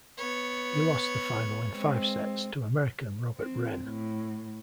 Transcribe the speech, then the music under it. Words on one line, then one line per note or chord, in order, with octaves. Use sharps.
He lost the final in five sets to American Robert Wrenn.
B3 C#5
G#3 C4
C4
A2